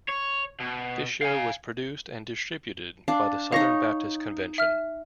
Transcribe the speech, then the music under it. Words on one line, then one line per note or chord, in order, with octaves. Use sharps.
This show was produced and distributed by the Southern Baptist Convention.
C#5
B2
F5 G#5
D4 F5
D#4 C#5 F5 A#6
E5 F6